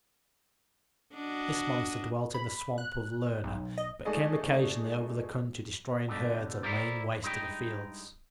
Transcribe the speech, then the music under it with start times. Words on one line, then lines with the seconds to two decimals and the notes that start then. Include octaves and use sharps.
This monster dwelt in the swamp of Lerna, but came occasionally over the country, destroying herds and laying waste the fields.
1.14 D4 F#4 D#5
2.34 B5
2.78 F#6
3.44 B1
3.78 D#5
4.05 G#3 A3 D#4 G#4 D5 D#5
6.08 B2 D3 A3
6.63 E4 F4 A4 A#4 C5 D5
7.23 G2 G#3 D#4 E4 A4 G5